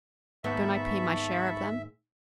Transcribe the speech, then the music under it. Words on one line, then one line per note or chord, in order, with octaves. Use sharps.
"Don't I pay my share of them?"
D#2 G#2 B3 E5 A5 B5 C#6